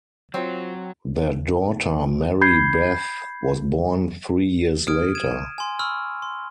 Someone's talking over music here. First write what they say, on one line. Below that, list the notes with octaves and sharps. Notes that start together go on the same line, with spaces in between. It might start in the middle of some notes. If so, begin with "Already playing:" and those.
Their daughter, Mary Beth, was born three years later.
F#3 C4 F4 C5 C#5
B5 G6 G#6 C7
D#6 F6 G#6 D7
G#6 D#7 E7
G#5 C6
B5 C#6 E6 F6
C6